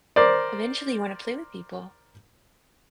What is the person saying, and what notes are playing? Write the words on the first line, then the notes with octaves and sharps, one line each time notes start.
Eventually, you wanna play with people.
A#4 C5 D5